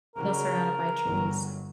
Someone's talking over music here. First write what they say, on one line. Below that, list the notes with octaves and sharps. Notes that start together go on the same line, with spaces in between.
Still surrounded by trees.
C#3 F#3 A#4
G1 F#3